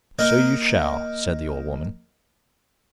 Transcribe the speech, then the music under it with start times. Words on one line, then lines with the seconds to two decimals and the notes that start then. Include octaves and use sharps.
'So you shall,' said the old woman.
0.19 A#3 D#4 A#4